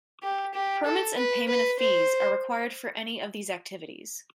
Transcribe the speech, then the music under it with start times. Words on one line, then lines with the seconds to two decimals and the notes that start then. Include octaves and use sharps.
Permits and payment of fees are required for any of these activities.
0.23 G4
0.54 G4
0.85 A4
1.16 B4
1.48 B4
1.80 C5